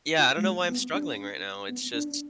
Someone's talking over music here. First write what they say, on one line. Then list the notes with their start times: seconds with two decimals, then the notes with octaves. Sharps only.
yeah, I don't know why I'm struggling right now. It's just
0.19 F4
0.37 G#3
0.44 A#3
0.69 B3
0.94 D4
1.69 B3
1.94 D4